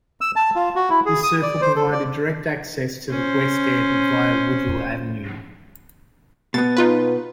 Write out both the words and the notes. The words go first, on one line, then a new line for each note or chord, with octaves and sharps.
This circle provided direct access to the West End via Woodville Avenue.
E6
A5
F4
F#4
E4
G#4
D#6
D5
C5
A4
D5
C#4 C5
B2 B3 A6
D#4 F4 B4